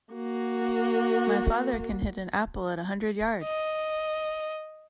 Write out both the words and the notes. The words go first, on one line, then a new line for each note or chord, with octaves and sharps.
My father can hit an apple at a hundred yards!
A#3 F#4
D#5